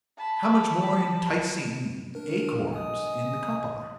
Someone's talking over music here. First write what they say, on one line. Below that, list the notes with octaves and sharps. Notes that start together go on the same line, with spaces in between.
How much more enticing acorns in the cup are!
A5 B5
D4 A#4
D#5 G#5 D#6